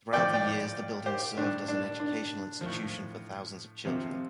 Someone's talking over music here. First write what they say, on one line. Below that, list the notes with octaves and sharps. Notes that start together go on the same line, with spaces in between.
Throughout the years the building served as an educational institution for thousands of children.
A2 F3 D5 G5
D5 G5
G4 C5
A2 G3 D4
D4
D4
A2 F3
C3 F3